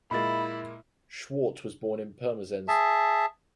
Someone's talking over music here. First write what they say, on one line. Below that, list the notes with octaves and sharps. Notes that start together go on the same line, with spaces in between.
Schwartz was born in Pirmasens.
A#2 G#3 A#3 E4 B5 A6
G#4 E5 A5